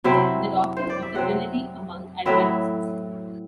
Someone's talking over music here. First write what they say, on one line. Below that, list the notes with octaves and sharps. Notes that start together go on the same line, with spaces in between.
"The Doctrine of the Trinity Among Adventists".
C3 F#3 C4 E4 E5
C5
D5
E5
C3 F#3 C4 F#5
A2 F#3 C4 E4 E5